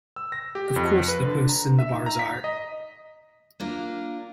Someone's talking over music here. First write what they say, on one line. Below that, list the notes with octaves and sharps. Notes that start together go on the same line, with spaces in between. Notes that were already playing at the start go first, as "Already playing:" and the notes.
Of course the posts and the bars are!
E6
A#6
G4
F2
B4
D3
A#5
E5
D#4
A#5
B6
D#5
A#3 D4 F4 A#4